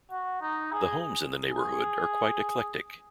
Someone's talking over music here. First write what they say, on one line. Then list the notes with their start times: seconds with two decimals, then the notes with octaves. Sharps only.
The homes in the neighborhood are quite eclectic.
0.10 F#4
0.41 D#4
0.72 G#4
1.50 G#4